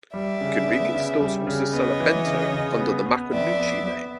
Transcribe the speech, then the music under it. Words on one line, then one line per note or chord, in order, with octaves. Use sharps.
Convenience stores also sell a bento under the Makunouchi name.
G3 D5 E5
C#3
B3
C#3
G3
C#3
B3 C#5 D#5
E3
C#3
C#3
B3
B3
F2 D5 E5
B3
B3